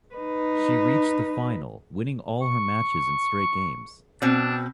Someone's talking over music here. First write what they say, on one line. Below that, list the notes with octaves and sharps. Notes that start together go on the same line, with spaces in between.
She reached the final, winning all her matches in straight games.
D#4 B4
C#6
B2 C4 D4